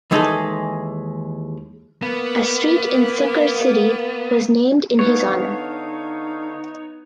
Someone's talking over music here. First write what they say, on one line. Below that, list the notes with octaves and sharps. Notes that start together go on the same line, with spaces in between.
A street in Sukkur city was named in his honor.
D#2 E3 G#3 D#4 G#4 A4
A#3 B3
D3 B3 D#4 C#5 F5